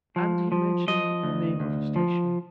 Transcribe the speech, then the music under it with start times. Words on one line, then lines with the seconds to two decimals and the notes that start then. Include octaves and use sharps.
And he mentioned the name of a station.
0.16 F3
0.52 F3
0.88 F3 D#5
1.23 D2
1.60 D2
1.96 F3